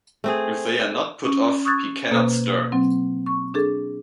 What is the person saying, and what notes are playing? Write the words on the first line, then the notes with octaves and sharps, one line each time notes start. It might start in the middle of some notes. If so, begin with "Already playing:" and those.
If they are not put off, he cannot stir.
A3 C4 G#4
C#4
C#6 D#6 E6 F#6 G#6 A6
B2 A#3 A4 C5 D#6
F#3 C4
C#6
D4 G#4 A4